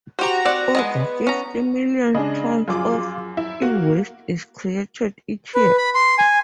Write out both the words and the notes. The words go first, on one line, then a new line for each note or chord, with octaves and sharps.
Over fifty million tons of e-waste is created each year.
F#4 G4 C5 A#5
C4 D5 F#5
G#3 B3 C4 D#5
C#4 A#5
C#3 G#3 D4 D#5
F#2 F3 F4 G#4 D6
E4
A#3 F#4
B4
B5
C6
G#5